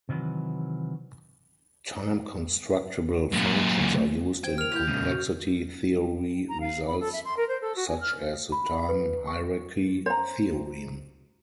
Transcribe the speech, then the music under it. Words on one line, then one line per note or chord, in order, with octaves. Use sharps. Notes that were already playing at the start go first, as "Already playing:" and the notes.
Time-constructible functions are used in complexity theory results such as the time hierarchy theorem.
C3 D#3 E3 F#3
F#2 A#2
C5 G5 G#6
A#4 F6 F7
E4 G4 G6 F7
A#2 C#3 G#3
F#4
A#5
F5
B5
A4
E5
C6
A#4
C5
A4
F#4
G#5
F6
B5
B4
C#6
C5 A#5